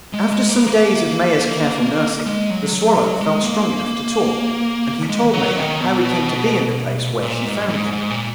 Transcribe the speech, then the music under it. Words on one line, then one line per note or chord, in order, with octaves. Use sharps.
After some days of Maia's careful nursing, the swallow felt strong enough to talk, and he told Maia how he came to be in the place where she found him.
G#3
G#3
A#3
A#3
G#3
F#3
F#3
F#3
G#3
A#3
G#3
E3
F#3
D#3
B2
A#2
G#2
G#2
G#2
A#2